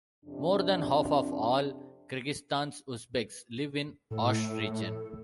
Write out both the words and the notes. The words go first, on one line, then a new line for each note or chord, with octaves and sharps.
More than half of all Kyrgyzstan's Uzbeks live in Osh Region.
F2 C3 D4
A2 A4